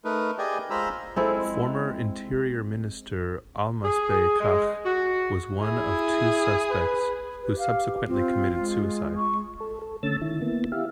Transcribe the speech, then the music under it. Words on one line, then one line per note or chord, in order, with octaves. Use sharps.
Former Interior Minister Almasbei Kchach was one of two suspects who subsequently committed suicide.
A3 D#4 A#4 B4
G4 G#4 D5 D#5 G5 G#5
G#3 F4 C5 A#5 B5 E6
G#3 C4 E4 A4
G#4
G#3
F#4
E4 G#4
B4
G4 B4
F5
C4 F4
G#3
C#6
A4
A4
D3 A3 C#4 E6 A6
D#3 E4
A#3 B3 E4
E4 G4 E5 F5